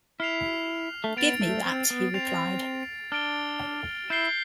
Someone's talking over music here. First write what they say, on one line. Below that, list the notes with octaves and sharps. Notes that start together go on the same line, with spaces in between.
Give me that,’ he replied.
E4 F6 C7 F7
A3
B3 A6 D7 F7
A3
C4
B3
C4 A6 C7 F7
D4 F6 A6 D7 G7
E4 G6 C7 G7